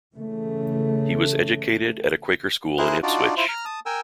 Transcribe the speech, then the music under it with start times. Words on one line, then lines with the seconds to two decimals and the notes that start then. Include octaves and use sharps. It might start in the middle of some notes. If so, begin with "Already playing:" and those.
He was educated at a Quaker school in Ipswich.
0.16 C#3 E3 A3
2.78 E4 G#4 A#4 C5 F#6
3.03 D4 D#4 F4 F#4 D5
3.37 E4 F4 C5
3.49 A#5 F6
3.65 A5 D#6
3.86 A#4 G5 G#5 E6